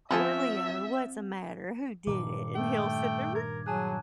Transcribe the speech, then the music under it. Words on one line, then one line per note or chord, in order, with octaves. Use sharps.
poor Leo, what's a matter? Who did it?" and he'll sit there,
F3 C4 E4 G#4 A4 E5
G2 A#2 D#3 D6
A3 G5
A#4 G#6
F#3 G#4 G#5 A5 F#6